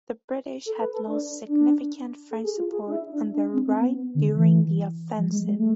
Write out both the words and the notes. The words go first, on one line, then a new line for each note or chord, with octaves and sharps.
The British had lost significant French support on their right during the offensive.
A4
B4
A4
D4
D4
A4
G#4
F4
G#4
D4
E4
D4
D4
C4
C4
B3
D3
E3
F3
G#3
G#3
A3